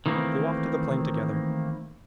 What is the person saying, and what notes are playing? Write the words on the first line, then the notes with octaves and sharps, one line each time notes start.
They walked to the plane together.
D#3 E3 A3 A#3 C4